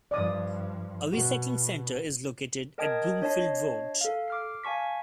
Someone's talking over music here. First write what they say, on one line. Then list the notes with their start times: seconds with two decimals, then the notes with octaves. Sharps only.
A recycling centre is located at Broomfield Road.
0.11 G2 F3 D5 D#6
1.12 B2 F#4
2.78 A#4 D#5 G5 A5 D#6 G#6
3.22 D4 C#5 D#5 A5 C7
4.01 A4 F5
4.28 D6 F6 C7
4.64 F5 G#5 A5 C#6 B6